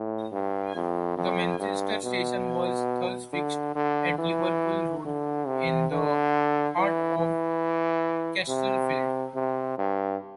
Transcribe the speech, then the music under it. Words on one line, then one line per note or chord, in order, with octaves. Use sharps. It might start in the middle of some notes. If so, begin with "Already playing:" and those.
The Manchester station was thus fixed at Liverpool Road in the heart of Castlefield.
Already playing: A2
G2
F2
F2
G2
B2
D3
D3
E3
D3
C3
D3
E3
E3
C3
C3
G2